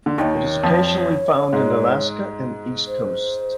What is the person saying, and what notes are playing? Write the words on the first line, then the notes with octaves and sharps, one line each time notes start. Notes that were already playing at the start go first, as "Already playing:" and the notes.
It is occasionally found in Alaska and the East Coast.
D3
D#2 D#3 C#5 D#5
F2 F3
G#2 G#3
C5